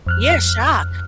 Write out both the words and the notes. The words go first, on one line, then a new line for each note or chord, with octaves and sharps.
Yeah, shocked,
F2 F6 F#6